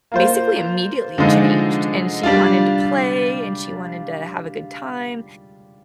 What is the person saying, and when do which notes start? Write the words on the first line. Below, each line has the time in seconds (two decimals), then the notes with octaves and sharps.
basically immediately changed, and she wanted to play and she wanted to have a good time,
0.12 A#3 F4 C5
1.18 D3 F3 G#3 D#4
2.23 G3 D4 F4